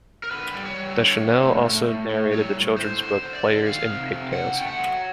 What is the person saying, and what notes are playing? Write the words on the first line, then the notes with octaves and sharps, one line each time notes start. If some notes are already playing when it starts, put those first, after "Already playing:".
Deschanel also narrated the children's book "Players in Pigtails".
A#4
D3 B4
G3 D5
C#5
G3
D3
D3
A3
A3
A3
A2
G3 C#5
A2
A2 C5
D3 C5
D3
D5
D3
D#3 F5
C3
C3
C#3 F#5
A3 G5
F#5
F#3